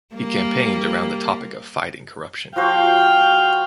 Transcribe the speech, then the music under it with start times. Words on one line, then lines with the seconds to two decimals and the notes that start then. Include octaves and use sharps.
He campaigned around the topic of fighting corruption.
0.15 G3 A#3
2.56 F3 F#4 C5 F5 G5